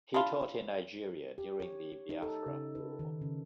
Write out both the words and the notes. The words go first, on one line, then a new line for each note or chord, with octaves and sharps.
He taught in Nigeria during the Biafra War.
D4 E4 F4
G4
C#5
D#4
A4
C#3
B4
D#3
C#3